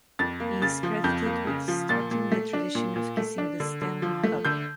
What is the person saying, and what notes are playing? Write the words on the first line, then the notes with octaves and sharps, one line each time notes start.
He is credited with starting the tradition of kissing the Stanley Cup.
F2 A6
A#3
C#3 A6
F3
F2 G6
A#3
C#3
F3
A#2 A6
A#2
A3
D4
A#2
A#2
A3
D4
D3
D3
F3
A3
D3 G6